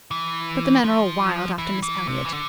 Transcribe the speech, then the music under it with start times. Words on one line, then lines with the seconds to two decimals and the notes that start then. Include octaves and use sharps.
But the men are all wild after Miss Elliot.
0.11 E3
0.84 F3
1.58 E3
1.83 E3
2.07 C3
2.24 E3
2.33 D3